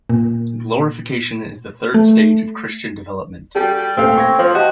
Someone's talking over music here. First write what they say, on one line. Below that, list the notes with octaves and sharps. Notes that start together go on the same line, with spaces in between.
Glorification is the third stage of Christian development.
A#2
A3
G3 F#4 G4 A4
D#1 A3 C4 F5
C#6 G#6 A#6
F3 C5
F#4 G4 D#5 A5